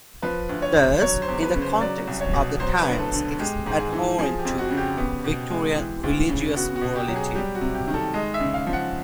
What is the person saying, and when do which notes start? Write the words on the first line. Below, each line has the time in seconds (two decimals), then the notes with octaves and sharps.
Thus, in the context of the times, it is abhorrent to Victorian religious morality.
0.22 F3 B4
0.49 D2
0.62 C#5
0.75 D3
1.02 F#3 C#5
1.22 C5
1.28 E2
1.42 B4
1.55 C#3
1.62 C5
1.81 F#3 D5
2.07 C2
2.21 C#5
2.33 B2
2.60 F#3 C5
2.79 B4
2.87 D2
2.99 A4
3.14 D3
3.39 G#3 G4
3.66 G#2
3.79 G#4
3.92 E3
4.19 F3 G#4
4.39 G4
4.45 F2
4.58 F#4
4.71 C#3
4.77 G4
4.98 B3
5.24 B2
5.50 G#3
5.77 E3
6.03 D2
6.29 C#3
6.56 B3 F#4
6.76 F#4
6.82 B2
6.96 G4
7.08 F#3
7.16 G#4
7.35 G3 G4
7.55 F#4
7.61 C3
7.75 G4
7.87 D#3
7.94 A4
8.14 G#3 D#5
8.34 E5
8.40 C#3
8.54 F5
8.67 F3
8.73 F#5